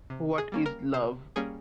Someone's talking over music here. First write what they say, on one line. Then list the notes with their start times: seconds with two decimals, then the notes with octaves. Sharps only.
What is love?
0.10 C3
0.38 G#4
0.52 G3 A#3 C#4
0.66 A#4
0.94 C3 C5
1.36 G3 A#3 C#4 G#4